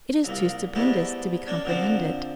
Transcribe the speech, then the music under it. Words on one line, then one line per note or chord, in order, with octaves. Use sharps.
It is too stupendous to be comprehended.
C2 A#2
G#2 G3 A3 B3 E4
A#3 C#4 D4
A#2 D3 F3 C4 D4